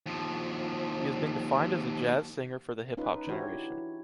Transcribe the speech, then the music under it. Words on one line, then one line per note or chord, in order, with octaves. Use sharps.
He has been defined as a jazz singer for the hip-hop generation.
D#2 F3
C#4 D#4 F4 B4
E3 D4 E4 F#4 G4 C#5